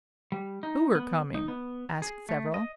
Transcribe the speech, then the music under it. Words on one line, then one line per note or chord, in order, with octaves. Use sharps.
"Who are coming?" asked several.
G3
D#4
B3
D#4
B3
G#4
A3
D#5